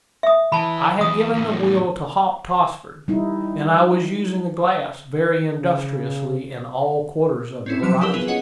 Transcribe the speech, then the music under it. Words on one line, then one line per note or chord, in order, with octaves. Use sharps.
I had given the wheel to Hop Tossford, and I was using the glass very industriously in all quarters of the horizon.
E5 D#6
E3 A5 B5
E2 D#6
E2 A2
G3 D#4 E4
C#3
C4 C#4 E4
F3 F#3 C#6 D6 B6 E7
E4 G4 A#4 B4
B3 F4 G4 G#4 B4
C#4 G#4 C#5 D#5 F#5 C#7